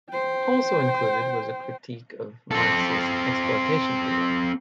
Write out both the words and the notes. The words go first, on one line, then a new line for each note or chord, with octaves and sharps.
Also included was a critique of Marx's exploitation theory.
C5 G5
C4 A4